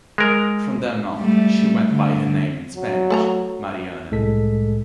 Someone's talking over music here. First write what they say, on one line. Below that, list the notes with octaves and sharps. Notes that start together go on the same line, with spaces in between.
From then on, she went by her name in Spanish, "Mariana".
G#3 A#4
G3 A3
D3
F#3
A3 A5 A#5
C2 A2 G#3 A4 B6